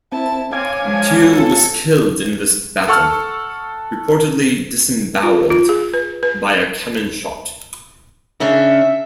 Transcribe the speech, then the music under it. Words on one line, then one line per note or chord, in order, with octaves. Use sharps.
Tew was killed in this battle, reportedly disemboweled by a cannon shot.
C4 E4 A5
C4 C#5 F5 G#5 D6 G#6
F3 G#3 D4
F4 A4
A4 F#5 A5 C#6 E6 F6
F4
F4
G#4
B4
B4
C#3 C#4 D4 E5